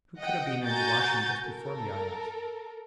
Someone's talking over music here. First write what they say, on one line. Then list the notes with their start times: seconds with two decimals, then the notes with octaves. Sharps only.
"Who could have been in the washroom just before me?" I asked.
0.19 D#5 F#5 G5
0.65 F#4 G#5 A#5 G6 A6
1.46 A4 A#4